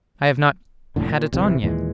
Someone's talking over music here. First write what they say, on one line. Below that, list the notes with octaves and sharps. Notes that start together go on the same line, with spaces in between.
I have not had it on yet.
F1 B1 A2 D3
A#2
D1 C3 D#3 E3
D#2 A#2 E3 G#3